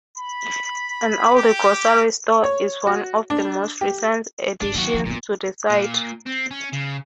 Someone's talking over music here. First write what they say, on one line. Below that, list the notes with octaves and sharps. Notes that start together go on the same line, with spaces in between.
An Aldi grocery store is one of the most recent additions to the site.
B5
G4
C#5
F#4
D4
G4
G#1 D4
D#2 F#3 F#4
F3
A#2 D#3 B3
A#2
C4
C#4
C#3